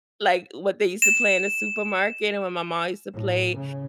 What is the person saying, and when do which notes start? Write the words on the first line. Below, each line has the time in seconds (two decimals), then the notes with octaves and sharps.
like, what they used to play in the supermarket and when my ma used to play
1.02 E7
3.12 A2
3.55 C#3